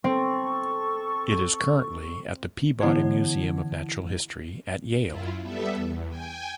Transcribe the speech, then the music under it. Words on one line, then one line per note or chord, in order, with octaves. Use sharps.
It is currently at the Peabody Museum of Natural History at Yale.
C4 A4 C#6
D3 E3 E4 F#5 A5 G#6
F#2 E4 F4
G3 B3 A4 E5
E2
G5 G#5